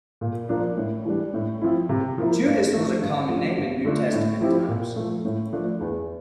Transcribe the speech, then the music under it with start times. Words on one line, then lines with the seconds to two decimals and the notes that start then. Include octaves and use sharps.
Judas was a common name in New Testament times.
0.21 A#2
0.49 F3 A#3 D4 F4
0.77 A2
1.05 E3 G3 D4
1.34 A2
1.62 F3 C4 E4
1.89 C3
2.18 F3 A#3 E4
2.46 G2
2.73 F3 A3
3.01 G2
3.29 F3 A3
3.57 G2
3.85 D3 A3 D4 F4
4.13 A2
4.41 F3 C4 E4 G4
4.68 A#2
4.96 F3 A3
5.25 A2
5.52 F3 A3 D4
5.81 E2